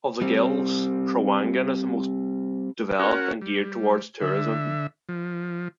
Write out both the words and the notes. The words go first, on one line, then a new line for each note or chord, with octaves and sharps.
Of the Gilis, Trawangan is the most developed and geared towards tourism.
G3 C4
C#4 F#4 A#4 F#5
G3
D3 E5
F3